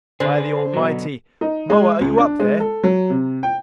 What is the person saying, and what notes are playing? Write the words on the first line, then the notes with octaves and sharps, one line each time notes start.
By the Almighty, Moa, are you up there?
D3 G#4 B4 C5
B2 F#3
D#4
G#3
C#2
D4
G#3
A4
F#3
C3
G5